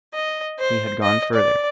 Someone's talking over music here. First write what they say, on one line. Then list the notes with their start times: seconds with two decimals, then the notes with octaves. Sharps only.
He had gone further.
0.14 D#5
0.59 C5
1.03 D#5
1.34 D5